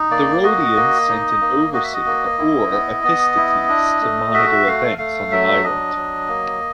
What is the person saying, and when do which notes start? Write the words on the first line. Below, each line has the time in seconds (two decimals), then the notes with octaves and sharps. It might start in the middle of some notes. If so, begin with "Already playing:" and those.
The Rhodians sent an overseer, or "epistates", to monitor events on the island.
Already playing: D#4
0.11 A#3 D5
0.43 F#4 D#5
0.76 A#3
1.08 D#4
1.41 A#3
1.74 F#4 D#5
1.83 E5
1.93 D#5
2.06 A#3
2.38 E4
2.71 B3
3.04 B3
3.36 E4
3.69 D4
4.01 A3
4.33 F#4 E5
4.66 A3 F5
4.98 A3 F5
5.31 F#3 E5
5.63 D4 D#5
5.96 F#3
6.28 A#3